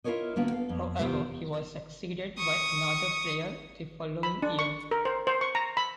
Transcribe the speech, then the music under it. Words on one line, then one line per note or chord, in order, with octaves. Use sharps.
However, he was succeeded by another player the following year.
E4 F4 A4 A#4 C#5 D#5
D3 A#3 B3 F#4
A4 F5
F2
E2 C3 B3 F4 G4 C5
C#6 D#6
B5
D4
C#6
A#4
C5
C5
C#6
A#5
B5